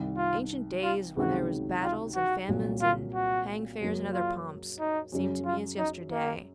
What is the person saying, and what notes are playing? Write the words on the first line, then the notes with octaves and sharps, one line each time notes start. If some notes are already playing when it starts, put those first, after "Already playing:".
Ancient days, when there was battles and famines and hang-fairs and other pomps, seem to me as yesterday.
Already playing: C2 C3 D#3
F4
F4
C#2 C3 D#3 F#3 F#4
F4
F#4
C2 A#2 F#3
F4
F#4
F#2 C#3 F#3 A#3
F4
D#4
F#2 C#3 F#3 C#4
F4
D#4
A#3